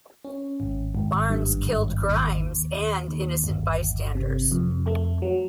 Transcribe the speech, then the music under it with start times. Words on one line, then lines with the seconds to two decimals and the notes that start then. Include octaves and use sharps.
Barnes killed Grimes and innocent bystanders.
0.24 C#4
0.60 G#1
0.95 G#1
1.30 G2
1.66 G#1
2.02 D#2
2.38 D#2
2.73 D#2
3.08 D#2
3.44 G1
3.80 G1
4.15 C3
4.51 F2
4.87 A3
5.22 F#3